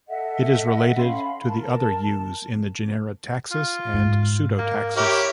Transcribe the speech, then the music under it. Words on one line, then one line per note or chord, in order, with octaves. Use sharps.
It is related to the other yews in the genera "Taxus" and "Pseudotaxus".
A4 D#5 E5 F#5
C#4 F5 B5 C6
A#4 A5
F4
G#2
A#3
E4 G4 A#4 C#5